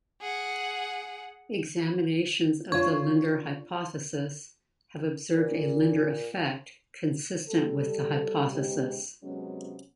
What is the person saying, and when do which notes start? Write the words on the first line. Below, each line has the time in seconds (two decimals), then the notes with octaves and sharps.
Examinations of the Linder hypothesis have observed a "Linder effect" consistent with the hypothesis.
0.21 G#4 F#5
2.72 D4 F4 C#5
5.36 A#2
7.48 G3 A4
8.50 G#2 C#3 G#3 G4
9.23 C3 F#3 G#3 B3 C#4